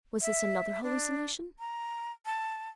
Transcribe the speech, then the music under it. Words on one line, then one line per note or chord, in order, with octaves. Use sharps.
Was this another hallucination?
E5
D4
A#5
A5